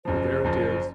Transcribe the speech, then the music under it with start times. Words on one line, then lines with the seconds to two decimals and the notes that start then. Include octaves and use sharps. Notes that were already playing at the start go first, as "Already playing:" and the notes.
Well, there it is.
0.05 F#1 F#2 F3 C5
0.44 F#1 F#2 F3